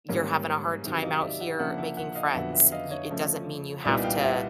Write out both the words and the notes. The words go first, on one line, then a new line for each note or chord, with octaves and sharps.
you're having a hard time out here making friends, y it doesn't mean you have to,
G#2 D#3 G3 A#3 C#4
C3 D#3 F#3
D#5 F5
D5 E5
E5 F#5
C#3 F3 A#3 D4 E5 F#5
E5 F#5
E5 F#5
D#5 F5
F2 D3 F#3 B3 E5 F#5
E5 F#5
D#5 F5
C#5 D#5
C#3 F3 A3
C2 A#2 G3 B3 D#4 D5 E5
F5 G5
E5 F#5